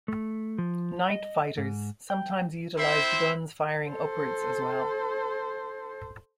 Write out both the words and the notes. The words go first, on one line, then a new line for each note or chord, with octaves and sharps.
Night fighters sometimes utilized guns firing upwards as well.
A3
F3
D#5
G#2
G5
C4 E4 C5 E5
A4 C5